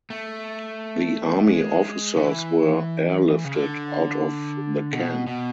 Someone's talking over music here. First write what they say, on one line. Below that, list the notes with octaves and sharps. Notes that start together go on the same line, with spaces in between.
The Army officers were airlifted out of the camp.
A3
G#3
E3
C#3
D3
B2
B2